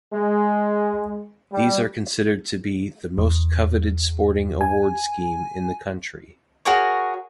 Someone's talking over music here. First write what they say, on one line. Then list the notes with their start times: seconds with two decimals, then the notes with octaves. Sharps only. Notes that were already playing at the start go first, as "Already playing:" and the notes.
These are considered to be "the most coveted sporting award scheme in the country".
0.13 G#3
1.52 G3
3.18 E2
4.61 G#5
6.65 F#4 G#4 A#4 C#5